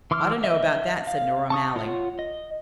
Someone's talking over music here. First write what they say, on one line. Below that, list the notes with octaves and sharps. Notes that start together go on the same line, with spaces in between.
"I don't know about that," said Nora O'Malley.
E3 C6 D6 E6 F6
D#5 E5
F5
A5 C#6 D#6
F4 C#5 F#5
D#5